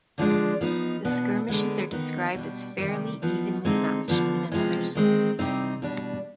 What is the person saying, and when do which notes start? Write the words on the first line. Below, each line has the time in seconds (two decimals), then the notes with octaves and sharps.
The skirmishes are described as fairly evenly matched in another source.
0.18 D3 F3 G#3 D4
0.61 F3 B3 D#4
1.05 B2 B3 D4
1.48 D3 G#3 B3
1.91 D#3 B3 D#4
2.35 B2 G3 D4
2.78 C3 D#3 G3
3.22 F3 B3 D#4
3.65 D3 G#3 C4 D#4
4.08 D3 F3 B3
4.52 C3 F3 G#3
4.95 D#3 G#3 C4
5.39 C3 G3 C4 D#4
5.82 B2 G3 D4